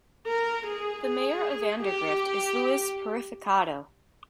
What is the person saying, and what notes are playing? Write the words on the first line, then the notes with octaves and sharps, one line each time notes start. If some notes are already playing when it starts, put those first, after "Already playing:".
The mayor of Vandergrift is Louis Purificato.
A#4
G#4
G#4
G4